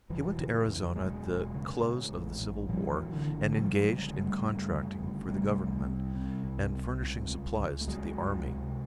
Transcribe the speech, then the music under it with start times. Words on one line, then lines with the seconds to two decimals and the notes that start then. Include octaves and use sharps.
He went to Arizona at the close of the Civil War and engaged in contracting for the Government and furnishing supplies to the army.
0.10 E1 E3 F#3
0.39 C#3
0.67 E2
0.96 E1 F#3 G#3
1.25 E1
1.54 C#3
1.83 A2
2.12 A1
2.40 A1
2.69 A2 F3 G3
2.90 E3 F#3
2.98 A1
3.12 D3 E3
3.27 A1
3.33 D3
3.56 C#3 F3 G3
3.77 F3 G3
3.84 G1
3.98 F#3 G#3
4.13 C#3
4.20 G3 A3
4.42 F#2
4.71 C#3
5.00 G1
5.28 C3 G3 A3
5.57 C2
5.86 C3
6.15 C3
6.44 C2
6.72 C3
7.01 C#2
7.30 C#2
7.59 C#2
7.81 A3
7.87 C#2 F#3 G#3
8.17 C#2
8.46 C3